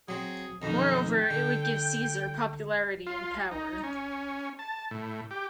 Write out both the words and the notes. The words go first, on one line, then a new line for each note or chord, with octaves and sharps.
Moreover, it would give Caesar popularity and power.
F#3 C4 G#4
B1 F2 D#3 D#4
G5
D3
F4
D#4
C#4
A5
A2
G4